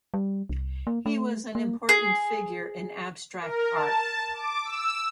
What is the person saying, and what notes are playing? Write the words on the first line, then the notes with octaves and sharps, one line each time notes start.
He was an important figure in abstract art.
G3
C2
A#3
A3
A#3
G#4
A#4
A5
D6
E6